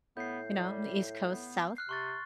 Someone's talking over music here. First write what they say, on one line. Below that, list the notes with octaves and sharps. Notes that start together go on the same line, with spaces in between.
You know, in the East Coast, south,
A2 B3 G6 C7
G3
B3
F6 F#6 C7
C3 C6 C#6 A6